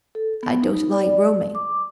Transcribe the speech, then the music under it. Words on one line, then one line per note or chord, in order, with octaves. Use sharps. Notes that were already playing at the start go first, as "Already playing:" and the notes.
"I don't like roaming."
A4
B3
D#4
D5
D6